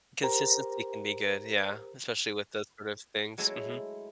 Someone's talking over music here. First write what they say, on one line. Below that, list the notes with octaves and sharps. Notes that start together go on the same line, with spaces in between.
Consistency can be good, yeah, especially with those sort of things, mhm.
G4 A#4 C5 A#5
F#3 G#3 A3 E4